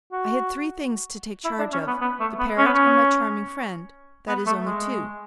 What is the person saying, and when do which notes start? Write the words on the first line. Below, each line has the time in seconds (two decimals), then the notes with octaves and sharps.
I had three things to take charge of. The parrot and my charming friend; that is only two.
0.12 F#4
1.45 E4
1.59 D4
1.73 C#4
1.87 B3
2.01 B3
2.20 A3
2.39 B3
2.58 C#4
2.66 B3
2.74 C#4
4.28 B3
4.47 A3
4.66 G#3